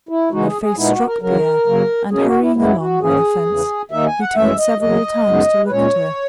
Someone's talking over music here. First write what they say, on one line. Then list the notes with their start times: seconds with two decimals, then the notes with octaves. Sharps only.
Her face struck Pierre and, hurrying along by the fence, he turned several times to look at her.
0.09 E4
0.31 C#3 E3 G#3 D#4 F#4
0.47 G#4
0.62 G#4
0.76 A#2 G#3 B3 D#4 E4
0.92 F#4
1.06 A#4
1.21 E2 C#3 F#3 A#4
1.66 C#3 F#3 A#3
2.11 B2 A#3 C#4 G#4
2.26 F#4
2.41 E4
2.56 F#2 C#3 E3 G#3 B3 E4
2.79 F#4
3.01 G#2 D#3 A#3 C#4 G#4
3.46 E2 C#3 E3
3.91 D#2 D#3 A#3 D#4 E5
4.06 G#5
4.21 F#5
4.36 F#2 E3 G#3 C#4 E5
4.58 D#5
4.81 E2 C#3 F#3 D#5
5.26 F#2 C#3 G#3 B3 D#4
5.66 B4
5.71 A#2 G#3 C#4 C#5